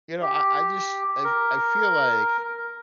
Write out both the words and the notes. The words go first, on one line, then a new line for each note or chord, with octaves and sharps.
you know, I I just, I I feel like
G4
A#4